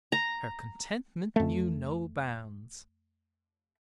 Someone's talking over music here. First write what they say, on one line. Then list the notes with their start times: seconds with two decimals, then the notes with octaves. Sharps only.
Her contentment knew no bounds.
0.12 A#5
1.36 F2 A3